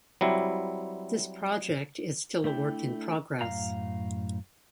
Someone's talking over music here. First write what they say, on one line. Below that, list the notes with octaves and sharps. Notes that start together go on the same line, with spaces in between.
This project is still a work in progress.
F#3 G3 C4 E4
A3 D4 E4 G5
F#2 A2 F5 A#5